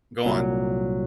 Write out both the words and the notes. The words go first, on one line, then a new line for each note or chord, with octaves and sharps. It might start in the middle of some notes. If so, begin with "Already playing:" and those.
go on.
C2 A#2 F#3